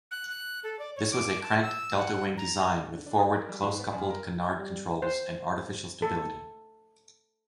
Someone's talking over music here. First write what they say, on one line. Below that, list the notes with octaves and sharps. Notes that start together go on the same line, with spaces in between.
This was a cranked delta wing design with forward close-coupled-canard controls and artificial stability.
F#6
F#6
A4
D5
C#5
D6
A5
E6
F#5
A#5
D3
D4
D#6
A#4
G3
G#2
B3
F#2
A#4
G3
C5
A4